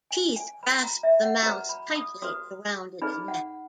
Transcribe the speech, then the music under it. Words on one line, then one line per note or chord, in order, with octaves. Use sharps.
Teeth grasp the mouse tightly around its neck.
G#5
G#5
F#4 B4 B5
A#5
E5
F#5
F#4 B4 A#5
B5
D#6
F#4 B4 D#6
D#4 G#4 B4 B5
F#5